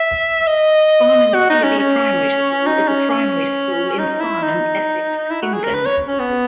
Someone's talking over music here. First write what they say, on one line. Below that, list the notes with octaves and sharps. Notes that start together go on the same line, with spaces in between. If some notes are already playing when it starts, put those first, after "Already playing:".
Farnham C of E Primary School is a primary school in Farnham, Essex, England.
Already playing: E5
D#5
F#4
D#4
C#4
C#4
D#4
C#4
C#4
D#4
E4
D#4
E4
F#4
G#4
A#4
B4
C#5
C#4
B3